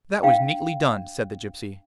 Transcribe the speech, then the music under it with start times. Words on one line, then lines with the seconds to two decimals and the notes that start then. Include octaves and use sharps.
'That was neatly done,' said the gypsy.
0.23 D4 F5 G5